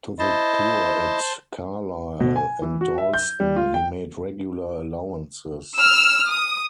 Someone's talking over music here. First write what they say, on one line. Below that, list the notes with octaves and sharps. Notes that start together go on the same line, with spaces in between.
To the poor at Carlisle and Dalston he made regular allowances.
E4 C5 D#5 A5
B2
G#5
E3
F#4
E5
G6
G3
F4
G5
E6 F6
D#6